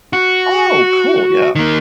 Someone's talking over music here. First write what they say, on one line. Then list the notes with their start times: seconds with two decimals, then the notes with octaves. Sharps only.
Oh, cool, yeah.
0.13 F#4
1.55 D#3 A#3